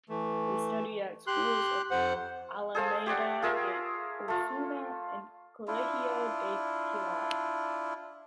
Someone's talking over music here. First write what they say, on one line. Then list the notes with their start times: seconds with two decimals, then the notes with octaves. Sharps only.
They studied at the schools of Alameda de Osuna and Colegio del Pilar.
0.09 E3 A3
1.27 G4 C6 F#6
1.91 F2 C5 F#5
2.75 G#4 A4 C5 F5
3.06 G4 C#5 D5 F#5
3.42 F4 G#4 A#4 E5
4.28 A3 F4
5.68 D4 E4 F4